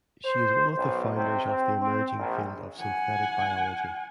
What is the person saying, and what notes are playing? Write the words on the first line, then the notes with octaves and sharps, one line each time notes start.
She is one of the founders of the emerging field of Synthetic Biology.
C5
B1
C3
C4
C4
A#1
F#5 G#5